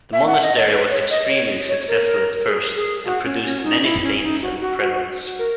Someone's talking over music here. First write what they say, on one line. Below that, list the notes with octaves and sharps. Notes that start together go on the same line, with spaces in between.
The monastery was extremely successful at first, and produced many saints and prelates.
E5
F#5
D#5
C#5
B4
C#5
D#5
C#5
C#5
A#4
G#4
G#4
F#4
C#4
C#4
D#4
E4
C#4
D#4
F#4
F#4
F#4
A#4